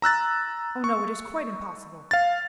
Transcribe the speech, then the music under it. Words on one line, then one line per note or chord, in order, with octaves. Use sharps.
Oh, no, it is quite impossible.'
A#5 E6 F#6 A6
C#6
F5 A6